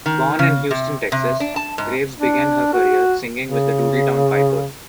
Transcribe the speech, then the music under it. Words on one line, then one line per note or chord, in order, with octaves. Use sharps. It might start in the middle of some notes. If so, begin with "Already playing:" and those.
Born in Houston, Texas, Graves began her career singing with The Doodletown Pipers.
D#3
C#3
C3
C3
D4
A5
G#2
D4
F#4
C#3